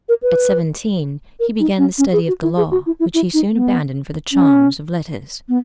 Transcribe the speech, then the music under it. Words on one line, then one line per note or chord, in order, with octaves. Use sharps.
At seventeen he began the study of the law, which he soon abandoned for the charms of letters.
A#4
B4
A#4
D#4
C#4
C#4
G#4
F#4
E4
G#4
F#4
E4
E4
E4
D#4
B3
C#4
B3